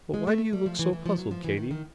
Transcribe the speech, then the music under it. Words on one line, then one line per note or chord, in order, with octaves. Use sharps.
But why do you look so puzzled, Katy?
G#3
A3
G3
F3
E3
E3
F3
F#3
F3
E3
D#3
D#3